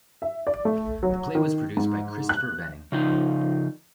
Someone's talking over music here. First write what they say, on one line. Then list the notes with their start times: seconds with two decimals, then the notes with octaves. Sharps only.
The play was produced by Christopher Venning.
0.22 E5
0.47 D5
0.65 A3
1.03 F#3
1.35 D#3
1.77 G#2
2.29 F#6
2.92 C#3 F3 D#4